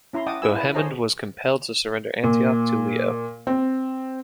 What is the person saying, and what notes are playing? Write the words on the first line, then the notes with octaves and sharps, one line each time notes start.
Bohemond was compelled to surrender Antioch to Leo.
C#4 E4 A#5 C6
D#5 F#5 G5 A5 D6 D#6
E4 G#4 B4 G#5 E6
E4 B4
G#4 C5 C#5 D#5 A5 A#5
A#2
C4